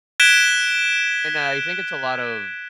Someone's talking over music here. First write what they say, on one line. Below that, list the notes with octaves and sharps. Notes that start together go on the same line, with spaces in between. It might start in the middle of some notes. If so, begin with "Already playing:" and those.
and I think it's a lot of
F#6 G#6 B6 D7 E7 G7